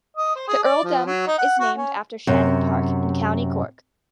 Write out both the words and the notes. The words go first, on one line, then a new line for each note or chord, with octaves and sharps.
The earldom is named after Shannon Park in County Cork.
D#5
C5
G#4
D5
F3
F#3
D#4
F#5
F#4
C#4
F#2 C3